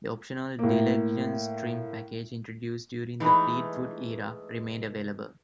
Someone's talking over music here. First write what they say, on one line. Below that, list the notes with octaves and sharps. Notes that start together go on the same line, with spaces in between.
The optional "d'Elegance" trim package introduced during the Fleetwood era remained available.
A2 A#3
E3 G#3 A3 D#4 B4